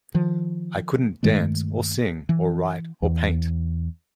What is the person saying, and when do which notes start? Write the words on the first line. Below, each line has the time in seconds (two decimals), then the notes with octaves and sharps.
I couldn't dance or sing or write or paint.
0.14 D#3 F3
1.23 G2 D#3 G#3 A3
2.29 E3
3.02 E2